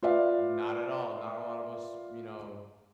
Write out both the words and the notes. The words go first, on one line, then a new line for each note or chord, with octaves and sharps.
Not at all. Not a lot of us, you know,
F4 B4 D5 E5 F5